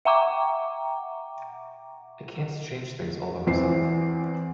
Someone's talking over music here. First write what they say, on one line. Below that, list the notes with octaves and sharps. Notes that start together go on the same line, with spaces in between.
I can't change things all by myself.
E5 F#5 G5 A#5 C#6 D6
E2 E3 C4 C7